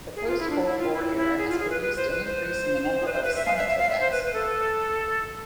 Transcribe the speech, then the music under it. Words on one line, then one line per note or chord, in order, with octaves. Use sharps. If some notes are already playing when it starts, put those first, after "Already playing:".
The post-Cold War era has produced an increase in the number of "summit" events.
G#4
F4
E4
D4
E4
F4
E4
E4
G#4
F4
G#4
B4
B4
C5
B4
C5
B4
C5
B4
E5
F5
E5
E5
F5
E5
C5
B4
B4
A4